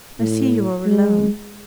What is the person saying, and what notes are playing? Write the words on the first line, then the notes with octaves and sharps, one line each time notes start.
I see you are alone.
A2
G#3